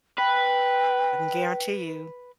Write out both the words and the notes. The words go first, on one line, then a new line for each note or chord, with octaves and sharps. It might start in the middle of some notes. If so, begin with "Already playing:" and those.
I can guarantee you,
B4 G5